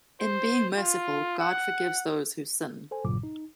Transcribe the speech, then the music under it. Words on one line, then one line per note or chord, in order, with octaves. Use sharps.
In being merciful, God forgives those who sin.
C5
F4
F#5
A4 C5 G#5
B1 G2 A#2 C#3 F#3 D6
D#4